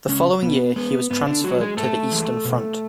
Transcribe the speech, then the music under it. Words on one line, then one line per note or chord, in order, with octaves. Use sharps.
The following year, he was transferred to the Eastern Front.
C#3 G#3 C#4
B2 B3
G#3 B3
G#2 B3
D3 D4
F#3 G#3 F#4
G#3 G#4
G#2 A3 A4
E3 G#3
B2